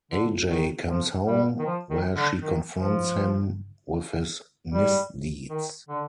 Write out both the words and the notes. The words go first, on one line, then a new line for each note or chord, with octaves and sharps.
Ajay comes home, where she confronts him with his misdeeds.
D3
D#3
F3
G3
D#3
F3
D#3
D3
D#3
F3
G3
D#3
D3